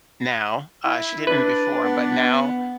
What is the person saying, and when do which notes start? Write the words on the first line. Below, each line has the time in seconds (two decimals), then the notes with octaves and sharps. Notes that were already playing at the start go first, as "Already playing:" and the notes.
now- uh, she didn't before- but now,
0.84 E4
1.27 D4 B4
1.83 B3